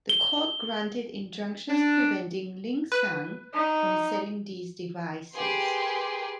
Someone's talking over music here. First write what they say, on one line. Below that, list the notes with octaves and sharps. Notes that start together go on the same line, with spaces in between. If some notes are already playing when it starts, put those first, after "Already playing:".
The court granted injunctions preventing Lik-Sang from selling these devices.
G7
D4
B4
D#4
G4 G#4 A#4 B4 C6